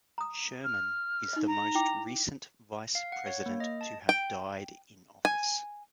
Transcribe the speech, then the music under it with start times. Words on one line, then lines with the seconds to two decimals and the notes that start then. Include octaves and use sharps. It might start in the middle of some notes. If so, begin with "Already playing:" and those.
Sherman is the most recent Vice President to have died in office.
0.18 A#5 D#6
0.64 F6
1.33 D#4 D#5
1.47 A#5
1.75 E4 G5 D6
2.95 F5
3.12 F#5
3.26 C#5
3.46 A#3
3.60 D#5
3.81 A5
4.09 G5
5.25 G#5